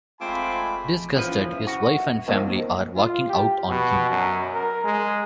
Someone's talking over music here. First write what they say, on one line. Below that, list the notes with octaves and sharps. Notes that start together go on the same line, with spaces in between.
Disgusted, his wife and family are walking out on him.
G#3 A3 C4 F4 G5 G#5 B5 D6
E3 F3 C#4 B4
E5
F#4
F2 D#3 A#3 C5 D#5
F4
G4
B2
F#2
A#4
G#3